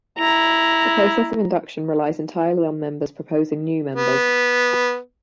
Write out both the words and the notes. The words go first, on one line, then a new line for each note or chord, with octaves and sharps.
The process of induction relies entirely on members proposing new members.
E4 A#5
B3